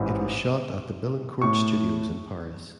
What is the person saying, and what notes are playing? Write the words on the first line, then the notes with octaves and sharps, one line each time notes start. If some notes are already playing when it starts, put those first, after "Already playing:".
It was shot at the Billancourt Studios in Paris.
Already playing: A1 G#2 E3
A2 C#6